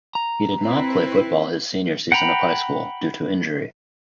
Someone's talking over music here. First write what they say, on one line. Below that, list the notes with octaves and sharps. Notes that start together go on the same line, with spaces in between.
He did not play football his senior season of high school due to injury.
A#5
C4 E4 B4
F#5 G5 A#5 B5